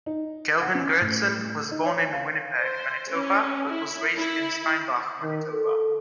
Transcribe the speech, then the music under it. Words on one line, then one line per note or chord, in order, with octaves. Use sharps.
Kelvin Goertzen was born in Winnipeg, Manitoba but was raised in Steinbach, Manitoba.
D#4
F#5
C#4
A2
D#4
C#5
F5
C5
C#4
E4
E4
D#3
A4